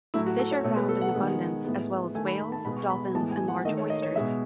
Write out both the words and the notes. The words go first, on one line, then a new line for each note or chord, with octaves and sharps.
Fish are found in abundance, as well as whales, dolphins and large oysters.
A2 F#3 A3 E4
F#4
A4
C#5
B2 A3 C#5
B4
A4
F#5
D#3 G#3 B3
A2 G#3 B3
D#3 A3 G#5
B5
B5
A5
B2 G#3 B3 B5
C#6
B5
A2 E3 G#3 B3 A5
G#5
F#5
D#3 A3 D#5
C#5
D#5
C#5
B2 G#3 B3 E5